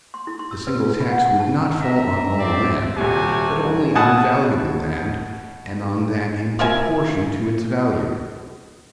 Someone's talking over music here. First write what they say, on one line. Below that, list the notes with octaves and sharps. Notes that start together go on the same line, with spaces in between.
The single tax would not fall on all land, but only on valuable land, and on that in proportion to its value.
C6
E4
C6
E6
B4
F4
B5
F#5
F#5
A5
E5 A#5
C4 D5 E5
D#1 C3 F#4 G4 G#5
B2 F#4 F#5 G#5 A5 D#6
F4 A#4 E5 G#5